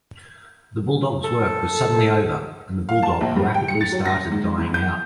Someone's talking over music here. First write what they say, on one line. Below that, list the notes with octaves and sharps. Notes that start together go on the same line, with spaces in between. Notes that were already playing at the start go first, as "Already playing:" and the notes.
The bulldog's work was suddenly over and the bulldog rapidly started dying out.
A4
F5
A5
A#1
G2
G5
C#7
A6
F#3
A#6
G#2
E2
G6